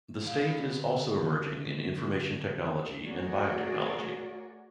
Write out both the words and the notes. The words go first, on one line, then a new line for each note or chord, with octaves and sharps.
The state is also emerging in information technology and biotechnology.
D3 F5
A3 F#4 G#4 A#4 C#5 D5